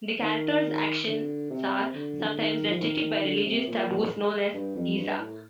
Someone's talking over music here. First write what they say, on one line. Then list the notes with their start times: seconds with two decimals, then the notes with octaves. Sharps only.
The characters' actions are sometimes restricted by religious taboos known as "geasa".
0.21 D#3
1.07 D3
1.50 C3
1.94 D3
2.38 D#3
2.71 F3
2.80 D#3
3.02 D#3
3.16 D#3
3.24 D3
3.46 C3
3.67 A#2
4.54 G2
4.75 F2
4.97 G2
5.19 A2